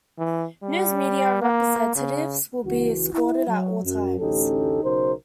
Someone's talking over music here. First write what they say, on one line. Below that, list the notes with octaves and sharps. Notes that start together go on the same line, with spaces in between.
News media representatives will be escorted at all times.
E3
G3
A#3
C#3
C#2 E3 F#4
E4
F#3
F#2
A1 D2 C#4 D#4 G4 A4
B1 C#3 D#4 F#4 A#4 C5